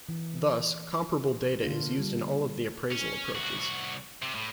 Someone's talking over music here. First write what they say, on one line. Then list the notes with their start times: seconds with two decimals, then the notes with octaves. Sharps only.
Thus, comparable data is used in all of the appraisal approaches.
0.09 E3
1.63 D3 A#3 D4 F4
1.99 G3
2.92 C#4
3.35 C2 F#4
4.22 C3
4.35 A2